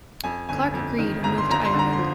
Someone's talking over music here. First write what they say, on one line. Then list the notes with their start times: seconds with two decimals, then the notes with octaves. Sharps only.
Clarke agreed and moved to Ireland.
0.24 F2 G#5
0.49 G1 G#5
0.74 F2
0.99 D#3
1.23 G1 A#5
1.38 C6
1.49 F2 A#5
1.65 C6
1.74 D3
1.79 A#5
1.93 F3 C6